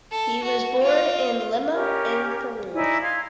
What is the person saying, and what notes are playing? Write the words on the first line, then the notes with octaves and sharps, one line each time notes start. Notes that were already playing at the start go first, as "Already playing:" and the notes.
He was born in Lima in Peru.
A4
F#4
F4
C#4 G4 A#4
D#4 E4 D5 G#5
F5 C6 G#6